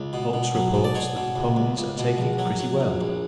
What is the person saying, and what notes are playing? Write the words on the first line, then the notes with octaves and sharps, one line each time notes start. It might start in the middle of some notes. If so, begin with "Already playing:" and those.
Oates reports that the ponies are taking it pretty well.
Already playing: C#2
B2
B2
F#3
B2
D5
B2 C#5
B2
C#2
C#2
C#2
B2
A#1
F#3
F#3
A#1
A#1